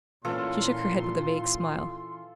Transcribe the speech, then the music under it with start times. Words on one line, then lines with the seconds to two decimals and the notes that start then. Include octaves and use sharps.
She shook her head with a vague smile.
0.25 A#2 E3 C#4 F4 A4 C6